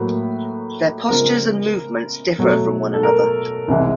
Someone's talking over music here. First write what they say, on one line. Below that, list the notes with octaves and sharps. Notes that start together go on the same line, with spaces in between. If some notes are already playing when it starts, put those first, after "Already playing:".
Their postures and movements differ from one another.
Already playing: A2 F#3 A#3 B4
C#3 F3 G#3 B3 A#4
B2 F#3 A3
A4
A#4
C2 C3 E3 G#3